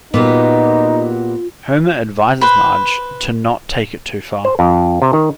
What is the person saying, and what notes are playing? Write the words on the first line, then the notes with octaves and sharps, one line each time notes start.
Homer advises Marge to not take it too far.
A#2 B3 D#4 F#4 G4
B4 C5 B5
C5
F2
C3
D#3